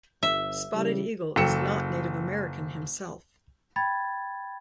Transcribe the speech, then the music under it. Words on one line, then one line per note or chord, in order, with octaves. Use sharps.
Spotted Eagle is not Native American himself.
G1 E5
C#3 E3 G3
F#1 F#3 A4 G5 C#7 E7
G5 B5 G#6 A6